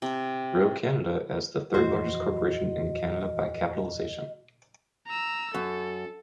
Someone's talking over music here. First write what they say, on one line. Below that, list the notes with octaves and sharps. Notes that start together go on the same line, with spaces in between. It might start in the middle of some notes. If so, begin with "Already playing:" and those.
Roe Canada as the third largest corporation in Canada by capitalization.
C3
D#1 F2 E3 F#4 C5 D#5
A#5 E6
F#2 A4